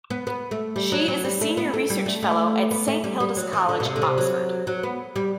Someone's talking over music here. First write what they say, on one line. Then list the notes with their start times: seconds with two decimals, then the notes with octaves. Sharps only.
She is a Senior Research Fellow at Saint Hilda's College, Oxford.
0.10 B3
0.27 B3
0.51 A3
0.76 G3
0.92 F#3
1.08 F#3
1.24 G3
1.41 A3
1.57 B3
1.73 A3
1.90 G3
2.06 A3
2.22 A3
2.71 B3
2.87 A3
3.04 G3
3.20 G3
3.37 F#3
3.53 E3
3.69 D3
3.80 B2
3.85 C3
3.96 D3
4.02 C3
4.18 F#3
4.67 F#3
4.83 B3
5.16 G3